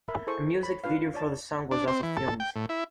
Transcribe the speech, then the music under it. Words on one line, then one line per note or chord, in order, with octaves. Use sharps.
A music video for the song was also filmed.
A#4 E5 B5
E4 G#4 A4 C5 C#6
C#5 B5
D4 F4 B4 F5
C#5 D5 A5
D4
C4
E3
A4
G5
A2
E4